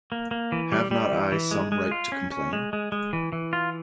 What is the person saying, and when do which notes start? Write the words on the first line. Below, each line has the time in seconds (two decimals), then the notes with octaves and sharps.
Have not I some right to complain?
0.12 A#3
0.31 A#3
0.52 E3
0.72 G3
0.91 G3
1.12 E3
1.32 E3
1.51 G#3
1.72 G#3
1.91 F4
2.12 C#4
2.32 C#4
2.53 G#3
2.73 G#3
2.92 G#3
3.13 E3
3.32 E3
3.53 F4